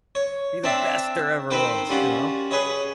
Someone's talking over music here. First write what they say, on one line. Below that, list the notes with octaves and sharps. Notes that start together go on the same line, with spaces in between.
Be the best there ever was, you know?
C#5
C4 D4 E5 A5
D#3 C4 B4 C5 G5
G3 C#4 F4 F#4
G#4 B4 C#5 D#5